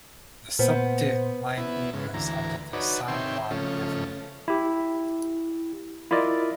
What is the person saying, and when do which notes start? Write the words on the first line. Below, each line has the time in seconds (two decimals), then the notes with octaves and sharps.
The Subte Line E goes under the San Juan Avenue.
0.59 A#2 B3 C5
1.57 B3 E4
1.93 G#2 C#3
2.14 D2 E3 A#5
2.73 D#4 F#4 B4 C#5 D5
3.08 C3 D#3 C#5 E5 G5 C6
3.51 C#3 F3 A3 C#4
4.48 E4 G4
6.11 E4 F4 A#4 D5 D#5